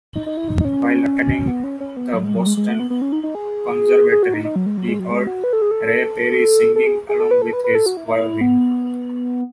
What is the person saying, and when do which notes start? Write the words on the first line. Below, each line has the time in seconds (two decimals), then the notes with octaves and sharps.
While attending the Boston Conservatory, he heard Ray Perry singing along with his violin.
0.15 D#4
0.26 D#4
0.37 E4
0.48 D#4
0.60 D#4
0.65 C#4
1.48 B3
1.64 C#4
1.80 C#4
1.97 B3
2.14 F#3
2.25 G#3
2.35 F#3
2.46 G#3
2.57 G#3
2.69 A3
2.80 B3
2.90 B3
3.02 C#4
3.12 D#4
3.23 D#4
3.35 G#4
4.12 G#4
4.23 F#4
4.34 D#4
4.45 D#4
4.56 F#3
4.66 G#3
4.78 F#3
4.88 G#3
4.99 F#3
5.11 G#3
5.27 F#4
5.44 B4
5.53 A4
5.62 G#4
5.71 A4
6.76 A4
6.87 G#4
7.09 G#4
7.20 A4
7.31 B4
7.42 A4
7.53 B4
7.64 B4
7.75 A4
7.86 F#4
7.97 E4
8.08 E4
8.41 B3